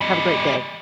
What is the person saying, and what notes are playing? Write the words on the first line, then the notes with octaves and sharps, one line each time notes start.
have a great day.
G3 D#5